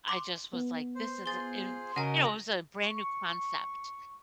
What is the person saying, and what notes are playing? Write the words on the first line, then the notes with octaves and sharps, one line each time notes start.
I just was like, "his is i" and, you know, it was a brand new concept,
C6 D6
B3
C5
F4 G#4 C5 A6 G7
C#3 C#4 F#4 A#4 D#5 F#5 A#5
C#6